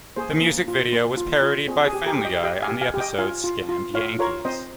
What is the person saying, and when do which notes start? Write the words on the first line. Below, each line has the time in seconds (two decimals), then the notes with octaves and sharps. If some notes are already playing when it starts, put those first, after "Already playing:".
The music video was parodied by Family Guy on the episode "Scammed Yankees".
0.16 A#3 G#4 C5
0.42 A#3
0.68 F4
0.93 A#3
1.17 F4
1.42 F4
1.68 C4 G#4
1.87 G#4
1.93 G4
2.06 G4 A#4
2.19 G4
2.24 D#5 G5
2.43 G4 D#5 G5
2.62 F5 G#5
2.68 G4
2.81 F5 G#5
2.94 G4
3.00 D#5 G5
3.18 F4 F5 G#5
3.44 F4
3.69 F4
3.94 F4 C#5 F5
4.19 F4 A#4 C#5
4.45 C4 C5 D#5